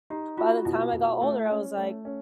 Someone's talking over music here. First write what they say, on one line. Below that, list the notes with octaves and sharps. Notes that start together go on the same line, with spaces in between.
by the time I got older, I was like,
D#4 G4
F4 F#4
B2 E4
B2
A3
C#4
A3
C#4